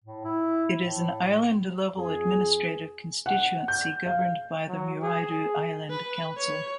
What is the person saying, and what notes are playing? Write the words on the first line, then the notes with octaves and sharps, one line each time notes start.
It is an island-level administrative constituency governed by the Muraidhoo Island Council.
A2
E4
A2
F2 G#4
F#5
G6
F5
F#3
G#4
B4
C#5